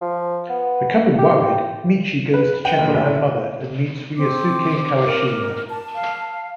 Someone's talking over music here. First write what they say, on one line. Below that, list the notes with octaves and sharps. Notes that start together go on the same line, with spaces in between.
Becoming worried, Michi goes to check on her mother and meets Ryosuke Kawashima.
F3
B3
G4
B4
G5
A#1
A1
C4 D6
A#4
A5
F5